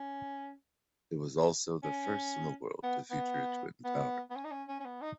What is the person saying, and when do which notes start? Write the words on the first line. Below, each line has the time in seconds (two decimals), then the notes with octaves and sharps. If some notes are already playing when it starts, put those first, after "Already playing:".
It was also the first in the world to feature twin-towers.
Already playing: C#4
1.83 C#4
2.83 B3
3.10 B3
3.84 B3
4.30 B3
4.35 C#4
4.44 D#4
4.51 C#4
4.68 C#4
4.80 C#4
4.85 B3
5.02 D#4